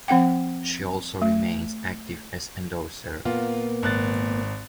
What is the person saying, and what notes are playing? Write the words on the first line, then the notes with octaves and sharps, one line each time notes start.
She also remains active as endorser.
F3 C4 F#5 G5
A3
A#2 A#3 B3 F4
G#1 F#6 A6